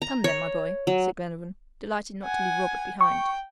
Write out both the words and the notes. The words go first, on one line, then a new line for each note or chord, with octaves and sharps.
"Come, then, my boy," said Glenarvan, delighted not to leave Robert behind.
A#5
C#5
F#3
F#5 G#5
G5 C#6